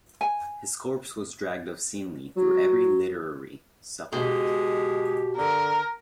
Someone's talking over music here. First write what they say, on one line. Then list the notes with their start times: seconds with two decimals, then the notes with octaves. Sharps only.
His corpse was dragged obscenely through every literary supplement.
0.21 G#5
2.36 F#3
4.13 B2 G#3 G4
5.38 D3 A#4